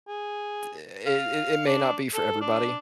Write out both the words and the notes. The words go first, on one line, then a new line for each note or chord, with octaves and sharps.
it it it may not be for everybody.
G#4
F5
D4
A4
D4